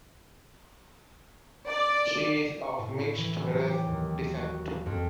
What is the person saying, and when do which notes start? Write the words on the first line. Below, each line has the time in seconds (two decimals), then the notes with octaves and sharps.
She is of mixed race descent.
1.66 D5
2.64 C#6
2.78 A2
2.99 E4
3.18 E3
3.49 F#3
3.67 G4
3.87 D#2
4.35 F#4
4.86 F2